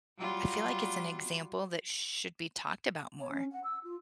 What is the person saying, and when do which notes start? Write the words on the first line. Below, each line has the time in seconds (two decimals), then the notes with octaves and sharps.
I feel like it's an example that should be talked about more.
0.18 F#3 G3 F4
3.19 C#5
3.30 C#4
3.51 F#5
3.63 E6
3.83 F4